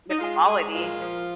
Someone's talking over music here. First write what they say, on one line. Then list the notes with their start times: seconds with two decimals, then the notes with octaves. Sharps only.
The quality,
0.10 D#4
0.19 G#3 F4
0.46 G#3 G#4
0.73 A#2 F4
1.01 F3